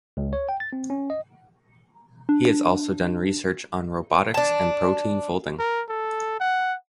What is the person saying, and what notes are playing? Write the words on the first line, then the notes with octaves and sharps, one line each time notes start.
He has also done research on robotics and protein folding.
C#2
C#5
G5
A6
C4
C#4
D#5
D4
D4 A5
A#4
A4
F#5